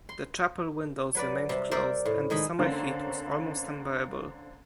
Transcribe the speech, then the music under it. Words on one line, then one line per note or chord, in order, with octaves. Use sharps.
The chapel windows remained closed and the summer heat was almost unbearable.
C6
F#3 B4 D5
C3 G3
A#4 C5 D5 E5
A2
D#3 G#3 D#5 B5
D3 A#3 C4 C#4